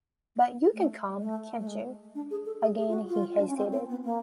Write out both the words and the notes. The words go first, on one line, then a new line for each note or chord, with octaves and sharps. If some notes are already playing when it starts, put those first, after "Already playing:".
"But you can come, can't you? — " Again he hesitated.
A3
A3
A3
G#3
D4
G#4
A4
G#4
G#4
F4
F#4
F4
D4
C#4
C4
C4
B3
A#3